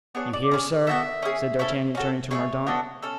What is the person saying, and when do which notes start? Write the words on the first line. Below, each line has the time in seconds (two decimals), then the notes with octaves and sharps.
"You hear, sir," said D'Artagnan, turning to Mordaunt.
0.15 B3 D4 G#4 C#5
0.33 D5
0.51 C#4 E4 G#4
0.87 B3 F#4 A4 E5
1.22 C#4 G#4
1.59 C#4 E4 A4
1.95 C#4 F#4 A4
2.31 A3 E4 G#4 C#5
2.67 B3 D4 F#4 A4
3.03 C#4 A4